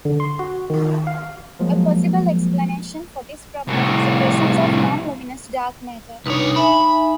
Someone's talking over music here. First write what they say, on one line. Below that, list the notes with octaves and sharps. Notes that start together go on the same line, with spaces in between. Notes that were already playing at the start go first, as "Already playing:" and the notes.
A possible explanation for this problem is the presence of non-luminous dark matter.
D3
C6
F#4
D#3
F5
F3 F#3 G#3 A#3
C2 A2
C2 D4 D#4 B4 C#5
D#4 E5 G#5 B5